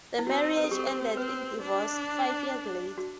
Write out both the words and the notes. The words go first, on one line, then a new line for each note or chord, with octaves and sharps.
The marriage ended in divorce five years later.
E4
C4 F#4
B4
A4
C4 G4
A4
C5
C4 B4
D4
F#4